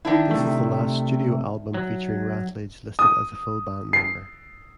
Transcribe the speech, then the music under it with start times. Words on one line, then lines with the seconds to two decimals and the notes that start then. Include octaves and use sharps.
This is the last studio album featuring Ratledge listed as a full band member.
0.05 D#3 D4 E4
0.31 C3 A3
1.74 F#3
2.99 D#6
3.93 C7